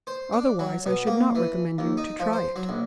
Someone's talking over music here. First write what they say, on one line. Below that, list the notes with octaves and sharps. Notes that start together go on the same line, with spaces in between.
Otherwise I should not recommend you to try it.
C5
D4
F#3
B2
A#3
E3
D#2
D#4
F3
C5
F#3
A#1